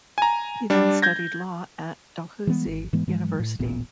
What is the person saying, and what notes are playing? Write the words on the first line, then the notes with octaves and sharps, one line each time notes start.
He then studied law at Dalhousie University.
G#5 A#5
G3 D4
G6 G#6 A#6
E3 G3 G#3 B3
G#1
G#2 E3 G#3 B3
G#2 E3 F#3 G#3
A2
D#1 A1 A#2 B3